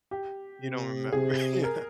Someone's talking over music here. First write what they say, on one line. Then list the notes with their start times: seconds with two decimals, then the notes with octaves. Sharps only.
you don't remember, yeah.
0.11 G4
0.62 C3
1.12 C3 G#4
1.63 A#4